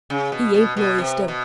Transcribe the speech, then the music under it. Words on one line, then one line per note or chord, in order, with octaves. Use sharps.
He ain't no oyster.
C#3
B2
B2
B2
C3
B2